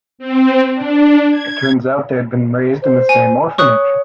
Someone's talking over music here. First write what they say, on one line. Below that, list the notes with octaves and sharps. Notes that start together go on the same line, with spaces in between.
It turns out they had been raised in the same orphanage.
C4
D4
G#6
C5
G#5
C#5 C#6 D#6 F#6